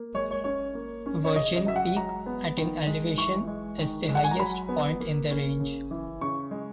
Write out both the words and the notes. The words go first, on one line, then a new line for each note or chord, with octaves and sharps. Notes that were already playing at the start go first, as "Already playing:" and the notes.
Virgin Peak, at in elevation, is the highest point in the range.
Already playing: A#3
G#3 C#5
C#5
C#4 C#5
A#3
C#4
C#5
C#3 D#5
D#5
F#3 E5
F#5
G#3 A#5
B3
D#3
G#3
E3 C#6
G#3
D#3
G#3
F#5
G#5
A#5
F#3 B5
B3
A#3
C#4
C#3
E3
C#3 C#6
G#3